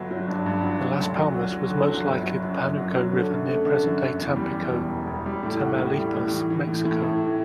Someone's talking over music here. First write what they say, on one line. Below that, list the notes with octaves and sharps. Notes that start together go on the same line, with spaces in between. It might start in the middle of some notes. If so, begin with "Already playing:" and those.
The Las Palmas was most likely the Panuco River near present-day Tampico, Tamaulipas, Mexico.
Already playing: G1 F#3
F#3
G2
G2
F#3
F#3
D2
F#3
F#3
F#3
D3
F#3
G1
F#3
F#2
F#2
F#3
F#3
D3
F#2
A3
D3
F#2
F#2
E2
G3
E2
E1
E1
E1
G3
A2
F#4
A2
G3
A2
E3
E3
A2
A2
A2
E3